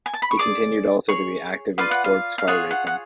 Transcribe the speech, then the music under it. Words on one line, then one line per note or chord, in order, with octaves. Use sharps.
He continued also to be active in sports car racing.
G#5
A5
B5
C#6
G#4 D5 D6
G#4 C#5 C#6
F4 B4 D5 F5
F#5
F5
F5
F4 G#4 C#5 F#5
F#5
F#5